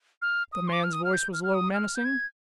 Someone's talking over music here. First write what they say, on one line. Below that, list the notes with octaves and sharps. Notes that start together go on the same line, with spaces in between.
The man's voice was low, menacing.
F6
D#6
C6
D6
F6
D#6
F6
G6
F6
F6
D#6
F6
G6
G#6